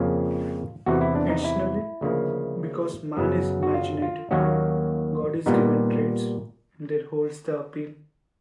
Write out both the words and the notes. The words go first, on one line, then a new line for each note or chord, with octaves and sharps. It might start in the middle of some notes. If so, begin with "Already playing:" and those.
Additionally, because man is imaginative, God is given traits and there holds the appeal.
Already playing: F2 C#3 F3 A#3 C#4 F4
E2 C3 E3 F#4
E4
D4
D#4
E4
D2 C#3 F3 A#3
F#2 C#3 F#3 B3
F#4
F4
F4
D#2 D#3 F#3 A#3 C#4 F#4
A#2 G3 B3 D#4